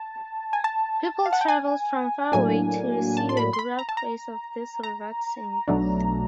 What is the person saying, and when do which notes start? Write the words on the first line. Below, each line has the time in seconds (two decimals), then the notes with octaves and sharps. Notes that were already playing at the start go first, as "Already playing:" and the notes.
People travelled from far away to see the burial place of this revered saint.
Already playing: A5
0.53 G#5
0.64 A5
1.26 F5
1.33 F#5
1.41 G5
1.48 G#5
2.32 A2 F#3 A#3 D4 G#5
3.17 A5
3.29 C6
3.37 B5
3.53 C6
3.59 B5
3.79 A#5
3.89 A5
3.97 A#5
4.83 A#5
5.68 B1 B2 F#3 A3 D4